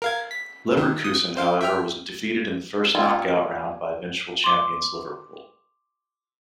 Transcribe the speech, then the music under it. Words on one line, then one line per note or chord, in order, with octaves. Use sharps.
Leverkusen, however, was defeated in the first knockout round by eventual champions Liverpool.
A#4 F5 G#6
B6
D#3
D#6
C5 F5
E5 G5 F6
G3 A#3 C4 C#4 F4
C6 D6